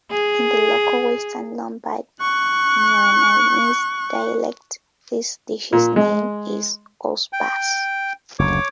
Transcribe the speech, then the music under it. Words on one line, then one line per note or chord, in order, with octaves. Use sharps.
In the local Western Lombard Milanese dialect, this dish's name is "oss bus".
G#4
C#6 F#6
A#2
G#3
G5
F#1 D2 C#5 D6